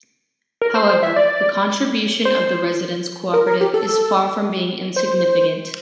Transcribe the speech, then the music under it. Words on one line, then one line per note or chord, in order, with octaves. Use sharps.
However, the contribution of the residents cooperative is far from being insignificant.
A#4
C5
C5
E5
D5
C5
A#4
A#4
G4
A4
C5